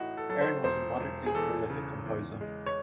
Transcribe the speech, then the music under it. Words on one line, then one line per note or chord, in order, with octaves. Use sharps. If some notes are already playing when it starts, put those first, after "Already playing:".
Arne was a moderately prolific composer.
Already playing: A1 A2 D#4 F#4
A4
F#3 A4
C5
E1 C5
E1
G#4
E2 A4
C#3
E2
G#3
C#5